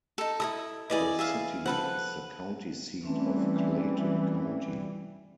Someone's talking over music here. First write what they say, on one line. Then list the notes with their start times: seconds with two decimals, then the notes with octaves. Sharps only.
The city is the county seat of Clayton County.
0.18 D#4 A4
0.40 E4 A4 A#4 D#6
0.90 E3 B3 E4 G#4 D5 D#5
1.19 G#4 E5 F5
1.66 F3 A4 B4 F#5
3.04 E3 G3 A3 C4 C#4